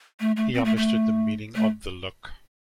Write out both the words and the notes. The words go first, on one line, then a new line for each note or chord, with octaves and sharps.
He understood the meaning of the look.
A3
A3
C4
A3
A3
A3